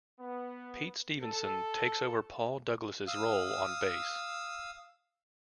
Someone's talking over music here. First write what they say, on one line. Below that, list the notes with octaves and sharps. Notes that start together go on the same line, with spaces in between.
Pete Stevenson takes over Paul Douglas' role on bass.
B3
A4
F5 D#6 E6